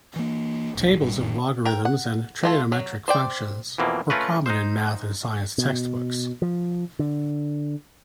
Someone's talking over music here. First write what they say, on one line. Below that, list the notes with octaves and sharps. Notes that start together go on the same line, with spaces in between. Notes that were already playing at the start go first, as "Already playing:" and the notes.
Tables of logarithms and trigonometric functions were common in math and science textbooks.
E3 A#3
D#1 B1
G#1 G2
F#1 F2 A#2 D#3
A#4 G5
F#5
A3 F4 A4
F#3
C5 D5 G5
F2 B2 E3 A#3
A3 C#4 F4 A#4 B4
D#4 C5
B2
F3
D3